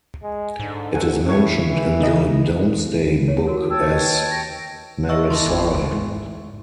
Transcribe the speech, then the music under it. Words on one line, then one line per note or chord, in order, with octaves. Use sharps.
It is mentioned in the Domesday Book as "Meresai".
G#3
G#2 D3
A4 F#5 G#5
A2 C#5
E3
C#3 D#4 A4 D#5
C#5
F#4 A#4 C#5
C#5 G5 A5 E6
B4 D#5
A#6
D#5 E5 C#6 E6
E2 G3 D#4 A4 C6 C#6
G#1 E3
G#2